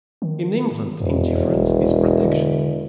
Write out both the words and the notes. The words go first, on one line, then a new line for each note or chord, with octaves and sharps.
In England, indifference is protection.
D#3
E1 F2
G#1
D3